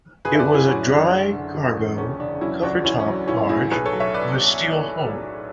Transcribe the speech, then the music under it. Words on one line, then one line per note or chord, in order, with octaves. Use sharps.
It was a dry cargo cover-top barge with a steel hull.
F#1 G#4 B4
E5
B4 D5
D3
E4 G#4
F#3 C#4 E4
F#2 D4
F#1
D3
F#1
E2
E1 C#4
C#3 D4
F#3 C#4 E4
D2 D4 F#4
A1 C#4 E4
C#4
F#3
D4
A1 C#4 E4
A2 E4 G#4
B1 G#4 B4
A4 C#5
F#3
C#5 E5
B4 D5